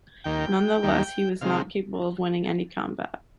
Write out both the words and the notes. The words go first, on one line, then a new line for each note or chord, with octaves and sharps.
Nonetheless, he was not capable of winning any combat.
D#2 D#3 A#3 G5
D#2 D#3 G3 A#3
C3 D#3 G#3 C4 F5